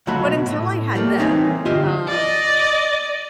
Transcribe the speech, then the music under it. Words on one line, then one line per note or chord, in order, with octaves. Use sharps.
But until I had them, um,
C#2 F#3 A3 F#4 B5 C6
B2
A2
G3 A3 A#3
E3 G#3 C4 D#4 C#5 E5
G2 D3 F4 G4 D#5 E5
D5 D#5